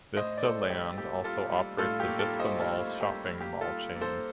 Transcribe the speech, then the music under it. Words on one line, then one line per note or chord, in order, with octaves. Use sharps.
Vista Land also operates the Vista Malls shopping mall chain.
A2 C5 D#5
D5
A2 A4 C5
G3 G4
A#3 G4
G3 F4 A4
G3
A2 F4 A4
G4
A#3
F4 A4
G3
C5 D#5
G3 F4 A4
A#3
G4 A#4
G3
A#3 G4
F4 A4
G3
A#3
A4 C5